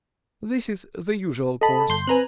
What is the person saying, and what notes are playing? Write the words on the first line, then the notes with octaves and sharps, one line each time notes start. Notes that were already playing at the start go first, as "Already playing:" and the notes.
This is the usual course.
A4 D#5 A5 B5
G1 C6 G6
C4 B4 G#5 A#5 F#6